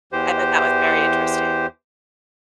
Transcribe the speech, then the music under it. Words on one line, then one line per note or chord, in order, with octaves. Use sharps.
I bet that was very interesting.
E2 E3 G4 C5